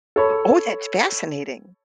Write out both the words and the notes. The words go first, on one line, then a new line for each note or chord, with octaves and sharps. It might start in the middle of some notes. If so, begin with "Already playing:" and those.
Oh, that's fascinating.
A4 C#5 B5